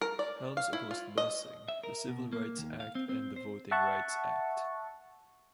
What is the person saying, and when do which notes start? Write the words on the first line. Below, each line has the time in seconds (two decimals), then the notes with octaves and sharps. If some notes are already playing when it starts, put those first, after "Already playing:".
Helms opposed busing, the Civil Rights Act and the Voting Rights Act.
0.01 A#4
0.19 D5
0.57 F5
0.73 E4
0.91 F4
1.18 D#5
1.68 E5
1.84 A#4
2.08 B2
2.33 A#3
2.58 D#2
2.80 F5
2.95 C4
3.09 C4
3.36 C5
3.71 E5 F#5 A5 C#6